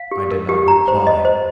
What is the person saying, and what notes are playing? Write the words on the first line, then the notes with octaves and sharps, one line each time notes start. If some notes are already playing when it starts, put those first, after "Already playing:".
I did not reply.
Already playing: F5
G4
A#4
G4
A#5
C5
D#5
C5